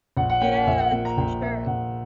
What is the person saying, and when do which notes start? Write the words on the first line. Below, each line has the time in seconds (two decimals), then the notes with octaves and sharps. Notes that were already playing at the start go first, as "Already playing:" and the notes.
Yeah, it's for sure.
0.17 A#1 F#5
0.30 F#5
0.42 A#2 A#3 G5
0.55 F#5
0.67 A#1 E5
0.80 F#5
0.92 A#2 A#3 F#5
1.05 A#5
1.17 A#1 G5
1.42 A#2 E5
1.45 A#3
1.66 A#1 F#5